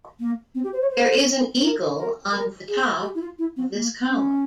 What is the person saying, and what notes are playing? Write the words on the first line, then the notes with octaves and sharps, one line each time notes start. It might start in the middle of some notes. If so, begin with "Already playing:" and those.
There is an eagle on the top of this column.
A#3
C4
G4
C5
C#5
C5
A#4
A#4
A#4
G#4
G4
E4
F4
E4
C4
A#3
C4
C#4